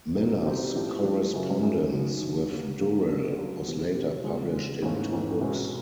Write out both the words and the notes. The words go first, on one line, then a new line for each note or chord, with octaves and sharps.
Miller's correspondence with Durrell was later published in two books.
C2 B2 G3 C4 D#4
C2 B2 G3 C4 D#4
A2 F3 A3 D4 G4
A2 F3 A3 D4 G4
F#2 C#3 F#3
F#2 C#3 F#3
D#3 F#3 A3
D#3 F#3 A3
D3 G3 A#3
D3 G3 A#3
G2 D3 F#3 A#3 D4
G2 D3 F#3 A#3 D4
E2 B2 G3
E2 B2 G3
C#3 F3 G#3
C#3 F3 G#3
G#2 E3 A3 C#4 F4
G#2 E3 A3 C#4 F4
C2 B2 G#3 C#4